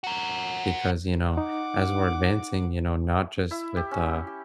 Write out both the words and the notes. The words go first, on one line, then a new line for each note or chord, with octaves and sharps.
because, you know, as we're advancing, you know, not, just, with, uh,
F#4 A#4
D#4 F#5 D6
E4
G4
C#4
G4